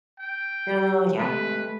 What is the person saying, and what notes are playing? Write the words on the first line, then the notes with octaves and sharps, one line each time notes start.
Oh, yeah.
G5
G4
G#3 A3 G4 A4 B4